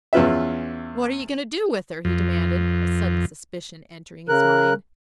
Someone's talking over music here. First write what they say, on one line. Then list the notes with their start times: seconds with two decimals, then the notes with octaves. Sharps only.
"What are you going to do with her?" he demanded, a sudden suspicion entering his mind.
0.13 E2 C#4 F4 B4 E5
2.05 F2
4.29 C#3 A#4 F#6